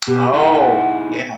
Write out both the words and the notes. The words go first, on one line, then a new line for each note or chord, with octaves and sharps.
Oh, yeah.
B2 G4
D#4 E4 G#4 F#5